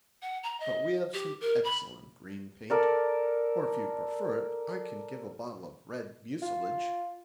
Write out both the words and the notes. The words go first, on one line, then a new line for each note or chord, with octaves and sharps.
"But we have some excellent green paint, or, if you prefer it, I can give a bottle of red mucilage."
F#5
A#5
D#5
G4
A#4
B5
A4 A#4 D5
F4